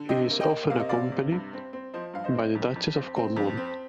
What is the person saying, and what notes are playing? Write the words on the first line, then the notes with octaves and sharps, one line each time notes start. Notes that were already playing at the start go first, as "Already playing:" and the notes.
He is often accompanied by the Duchess of Cornwall.
Already playing: D3
C3 D#5 G5
A#3
D#5 G5
A#3
C3 F5
D#5
C3 D5 F5
C3
G2
C4
C4
F3 C5 D#5
G2 F5
C5 D#5
C4
F2
F2
C4
C4
F2
C4